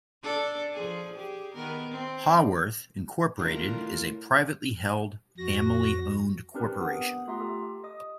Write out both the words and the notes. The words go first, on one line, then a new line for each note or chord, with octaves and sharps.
Haworth, Incorporated is a privately held, family-owned corporation.
D4 A4
F3 G#4
G4 G#4
D#3 B3 A#4
C4
C2 A2 D#3 D4 F4 A#4
F2 F#4 A#6
C4 D4 G4 A#4 B4
B3 F#5 D#6
A3 F4 G4 E5 A#5 C6
G4 A4
D#5 D#6